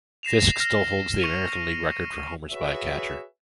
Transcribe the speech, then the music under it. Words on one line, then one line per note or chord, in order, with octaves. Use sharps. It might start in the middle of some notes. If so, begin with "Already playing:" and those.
Fisk still holds the American League record for homers by a catcher.
A#6 C7 E7 F7
F6 A#6
C#6 C#7 D#7 F7
F#4 G#4 B4 C#5 E5